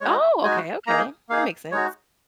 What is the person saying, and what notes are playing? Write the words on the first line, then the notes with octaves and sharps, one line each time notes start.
Oh! Okay, okay. That makes sense.
G#3 D#4 F#4 C#5
G#3 D#4 F#4 G#5
A#3 D#4 G#4 A#5
A#3 D#4 G#4 F5
G#3 D#4 F#4 C#5